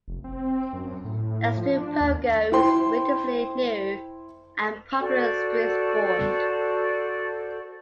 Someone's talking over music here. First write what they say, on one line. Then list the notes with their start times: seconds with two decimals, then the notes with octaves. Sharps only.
Extreme pogo is a relatively new and popular extreme sport.
0.08 F1
0.24 C4
0.73 F#2
1.04 A2
1.57 F3
1.77 D4
2.01 D#2
2.52 E4 C5 G5 C6
5.00 F#4 A4 C5 D5